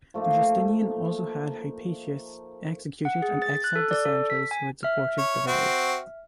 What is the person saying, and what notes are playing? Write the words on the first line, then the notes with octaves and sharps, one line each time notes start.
Justinian also had Hypatius executed and exiled the senators who had supported the riot.
F3 A3 A#3 D#4
F#5
G#4
A6
F#6
A4
D5
A4
B6
G#5
E5 F6
C#5
C4 F#4